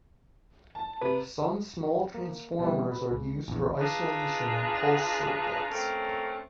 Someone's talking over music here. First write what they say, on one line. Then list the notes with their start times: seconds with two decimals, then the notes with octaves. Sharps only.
Some small transformers are used for isolation in pulse circuits.
0.75 A5
1.01 C3 B4
2.14 A#3
2.59 B2 E3 G3
2.91 B4
3.10 C#2
3.48 A#1 E2
3.81 D4 D#4 F4 G#4 B4
5.71 A3 A#3 C4 C#4